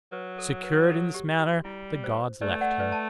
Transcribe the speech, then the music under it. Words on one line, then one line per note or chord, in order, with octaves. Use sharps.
Secured in this manner the gods left him.
F#3 B4
A4
B4
A4
G4
F#4
G3 E4
C5
A3 B4 D5
D5 F#5
B4 D5
A5